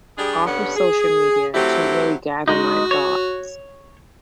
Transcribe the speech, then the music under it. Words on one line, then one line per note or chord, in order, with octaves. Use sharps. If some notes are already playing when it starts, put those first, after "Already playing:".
off of social media to really gather my thoughts
G3 D4 G4 G#4
G2 D3 G3 B3 C#4 F#5
G#4
F#3 A3 C4 E4 G4
G#3 D#4 F#4
C#5